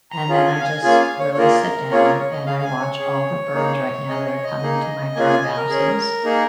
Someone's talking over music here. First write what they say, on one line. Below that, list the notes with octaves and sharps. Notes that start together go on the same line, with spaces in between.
and then I just really sit down, and I watch all the birds right now that are coming to my birdhouses,
A#5
C#4 F4 G#4
G#5
F5
G#5
A#3 C#4 F4 G#4 G#5
F5
C#5
C#5
A#3 F4 G#4 A#4
A#3 C#4 F4 G#4 C#5
A#4
C#5
D#5
C#4 G#4 F5
F5
G#5
C#5
C#4 G#4
A#3 D#4 G#4
C#4 G#4 D#5
C#5
D#5
A#3 D#4 G#4
A#3 C#4 F4 G#4 G#5
G#5
D#5
A#4
C#4 G#4
A#3 D#4 G#4